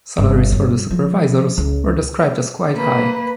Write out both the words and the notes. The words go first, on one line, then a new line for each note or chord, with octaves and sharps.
Salaries for the supervisors were described as "quite high".
G1
G2
F3
C#2
A#3 B4